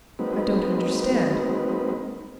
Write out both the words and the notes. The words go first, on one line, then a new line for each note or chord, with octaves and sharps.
"I don't understand."
F#3 G#3 A#3 C4 D#4 B4